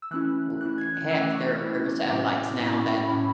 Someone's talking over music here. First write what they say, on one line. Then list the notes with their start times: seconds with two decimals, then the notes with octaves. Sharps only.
W heck, there there are satellites now that
0.02 E6
0.11 E3 A3 C#4 E4 F#6
0.61 E3 A3 C#4 E4 F#6
0.78 G#6
0.94 F#6
1.10 E3 A3 C#4 E4 E6
1.23 D6
1.35 C#6
1.48 C#6
1.60 E3 A3 C#4 E4
2.10 A2 F#3 C#4 E4 D6
2.60 A2 F#3 C#4 E4 C#6
2.77 B5
2.93 B5
3.09 A2 F#3 C#4 E4 B5